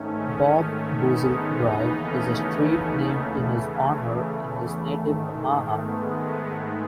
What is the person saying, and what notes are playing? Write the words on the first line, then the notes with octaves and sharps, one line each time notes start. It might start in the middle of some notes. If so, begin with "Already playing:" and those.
Bob Boozer Drive is a street named in his honor in his native Omaha.
Already playing: G#2 D#3 A3 C#4
A3 C#4
B3 D#4
G#3 B3
D#2 C#3 E3 B3 D#4
A3 C#4
A3
E2 C#3 E3
G#2 D#3
G#3 B3
A3